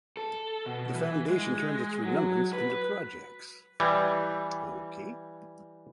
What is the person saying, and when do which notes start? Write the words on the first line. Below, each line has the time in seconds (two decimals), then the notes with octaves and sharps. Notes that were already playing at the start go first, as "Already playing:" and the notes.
The Fondation turns its remembrance into projects.
0.17 A4
0.66 B2
0.95 E3
1.30 G#3
2.04 F#3
2.53 B4
3.80 E3 G3